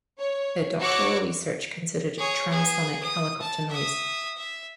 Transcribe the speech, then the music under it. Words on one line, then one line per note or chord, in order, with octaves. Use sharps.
Her doctoral research considered transonic helicopter noise.
C#5
F#4 C#5 C#6 D6 E6 F#6
G#4 C#5
B3 G#4
D#6
A5
E5 D#6
E5